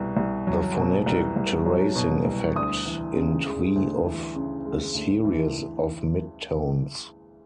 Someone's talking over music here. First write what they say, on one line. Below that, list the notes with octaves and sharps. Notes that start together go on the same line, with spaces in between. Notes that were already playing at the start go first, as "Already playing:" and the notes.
The phonetic terracing effect in Twi of a series of mid tones.
Already playing: C2 B2
C2
F#3
B2
C2
C2
F#3
B2
C2
D2 D#6
E3
C#3
G#3
D2
E3
C#3
G#3
D2
E3